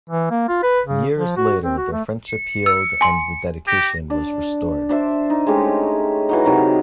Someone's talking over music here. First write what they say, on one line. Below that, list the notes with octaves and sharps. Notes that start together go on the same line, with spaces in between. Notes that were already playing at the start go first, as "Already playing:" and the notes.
Years later, their friendship healed and the dedication was restored.
E3
A#3
F4
B4
C#3
F3
F#4
C4
F#4
A3
C#7
E6
G#5 C6
G4 A#6
D4
D4 C5 E5 D6
D#4
G#3 A3 C#4 G4
E3 F#3 D#4
C3 D#3 F#3 A#4